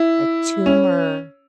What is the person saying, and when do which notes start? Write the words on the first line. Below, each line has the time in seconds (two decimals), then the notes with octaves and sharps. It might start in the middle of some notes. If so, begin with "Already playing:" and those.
a tumor
Already playing: E4
0.66 C#4